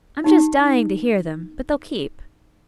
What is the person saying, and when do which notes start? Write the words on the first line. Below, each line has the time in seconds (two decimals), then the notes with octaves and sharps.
I'm just dying to hear them, but they'll keep.
0.24 D#4 G4